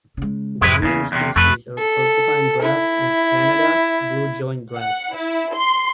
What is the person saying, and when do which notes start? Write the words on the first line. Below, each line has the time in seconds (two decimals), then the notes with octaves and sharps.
Dominant species are porcupine grass and Canada blue-joint grass.
0.17 C#3 G#3
0.61 F2 G#2 G#3 E4 B4
0.82 E2 C#3 A#3
1.12 E2 A2 C3
1.36 F2 A3 B4
1.78 A4
2.62 E4
4.74 F#5
5.14 E4
5.55 C6